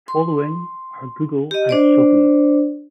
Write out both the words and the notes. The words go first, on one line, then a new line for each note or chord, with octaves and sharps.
Following are Google and Sogou.
C6
G4 D#5
D4 C5 D5